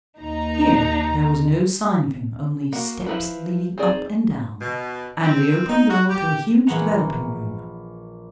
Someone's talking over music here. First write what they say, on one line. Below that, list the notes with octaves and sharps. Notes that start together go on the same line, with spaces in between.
Here there was no sign of him; only steps leading up and down and the open door to a huge developing room.
D#2 D#4 A#5
A#3 F#4
F3 A3 E4 B4
C4 D#4 G#4 D5
B2
C4
D#4
F#4
G4
A#1 E3 G#4 F#5 A#5